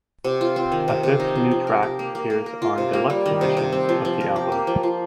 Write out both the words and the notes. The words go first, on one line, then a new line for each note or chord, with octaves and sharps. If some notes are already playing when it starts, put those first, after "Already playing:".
A fifth new track appears on deluxe editions of the album.
C3
F4
C4
D#3
C3
C3
D#4
F3
F3
A#4
G4
A#3
A#3
A#3
A#4
F4
C3
A#3
G3
D#3
C3
C3
C4
F3
F3
A#4
G4
A#3
F3
F3